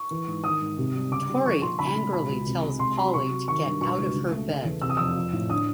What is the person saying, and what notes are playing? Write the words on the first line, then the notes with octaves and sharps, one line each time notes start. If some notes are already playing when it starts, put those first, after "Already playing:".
Tori angrily tells Paulie to get out of her bed.
Already playing: C#6
E3
G#2
D#3 D#6
G#2
C3
G3
C#3 D6
G3
F3 C#6
A#2 C6
C#3 B5
G#3
B2 B5
C#2
C3
G#3
C3 C6
F#3 B5
C3 C#6
F#3
D#3 C#6
G2
B2 C#6
C#2
C#3
A3
C#3
E2
C3 E6
D#6
F2 E6
F3
A2
D3 D#6